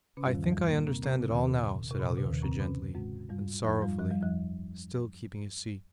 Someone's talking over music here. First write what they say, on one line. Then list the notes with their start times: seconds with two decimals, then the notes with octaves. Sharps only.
"I think I understand it all now," said Alyosha gently and sorrowfully, still keeping his seat.
0.17 C#3 C#4
0.25 G2 G3
0.34 D#2 D#3
0.43 F2 F3
0.51 G2 G3
0.69 A#2 A#3
0.87 C3 C4
1.04 C3 C4
1.21 C#3
1.30 D#2 D#3
1.38 C3
1.48 A#2
1.91 C3
1.99 A#2
2.08 C3
2.17 C#3
2.25 D#2 D#3
2.42 C3 C4
2.60 C#3 C#4
2.95 G#2 G#3
3.29 G2 G3
3.64 F2 F3
3.81 G2 G3
3.99 F3
4.11 G3
4.22 F2 F3